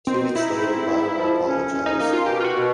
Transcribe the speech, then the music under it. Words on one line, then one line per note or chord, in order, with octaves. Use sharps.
Two weeks later, Biron apologized.
D#3 C4
D#4 E4
C4
D#3
F3
C#4
C#4
D#4
A#3 D#4
F4
B2 G4
F4
F#4
B2